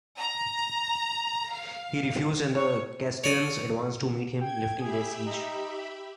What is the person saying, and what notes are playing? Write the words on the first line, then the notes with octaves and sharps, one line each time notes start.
He refused, and the Castilians advanced to meet him, lifting the siege.
A#5
F5
C#5
C#5 D5 D#6
G5 G#6
G4 G#4 E5 B5
D#4